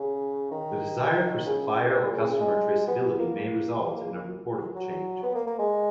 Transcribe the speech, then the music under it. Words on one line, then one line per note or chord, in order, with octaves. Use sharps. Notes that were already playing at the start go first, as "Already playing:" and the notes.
The desire for supplier or customer traceability may result in a reportable change.
Already playing: C#3
D#3
C#3
A#2
B2
A#2
C#3
C#3
G#3
B3
B3
A#3
F#3
B3
A#3
A#3
G#3